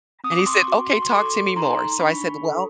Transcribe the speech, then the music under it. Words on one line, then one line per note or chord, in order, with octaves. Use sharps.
and he said, "Okay, talk to me more," so I said, "Well,"
C4 D#6
D6
C#6
C6 D6
F#4
C6
C#6
A4 C6 D6
D#4 A#5 C6
D4 B5 C#6
A4